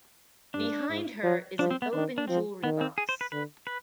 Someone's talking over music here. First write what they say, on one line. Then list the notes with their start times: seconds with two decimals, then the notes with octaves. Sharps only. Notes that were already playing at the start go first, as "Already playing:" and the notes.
Behind her is an open jewelry box.
0.54 G2 D4
0.89 G#2
1.23 F3
1.59 F3 D4
1.71 C4
1.82 B3
1.93 D#3 D4
2.18 D4
2.28 F3 C4
2.63 D#3 B3
2.81 C4
2.98 G#4
3.09 C5
3.21 B4
3.32 D3 B4
3.67 B4